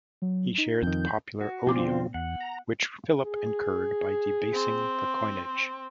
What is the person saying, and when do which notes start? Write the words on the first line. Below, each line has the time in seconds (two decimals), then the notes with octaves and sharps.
He shared the popular odium which Philip incurred by debasing the coinage.
0.22 F#3
0.58 D#4
0.83 F2 D#3 G6
1.41 F#4
1.67 B2 D3 F3 B3 C4 F4 D6
2.14 E2 F#5
2.41 A#5
3.24 G#4
4.52 C4